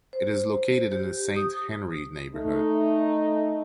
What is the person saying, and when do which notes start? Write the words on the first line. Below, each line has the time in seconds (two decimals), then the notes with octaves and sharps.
It is located in the Saint-Henri neighbourhood.
0.13 C5
0.92 G4
1.36 D#6
2.34 A3 D#4